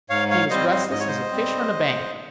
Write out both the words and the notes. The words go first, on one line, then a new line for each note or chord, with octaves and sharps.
He was restless as a fish on a bank.
G#2 C#5 F5
C#5 F5
G3 C4 C5 D#5
C5 D#5
G#2 D#5
C#5
C5 D#5
G3 C4